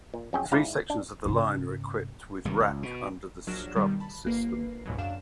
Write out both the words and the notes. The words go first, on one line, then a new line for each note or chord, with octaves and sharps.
Three sections of the line are equipped with rack under the strub system.
A#2
F2 F#3 C#4 G#4 G5
G#2 E4 D5 F5 A#5
D4
G#2 C#3
G#1 C3 G3
C#2
B2
A#1 F#3 D4 F6 A#6 E7
B2 D#3 G3
A5 B5
G1 A#3 B4 C7
C#2 G#2 B2 F#3
F#2 D4 F5 E7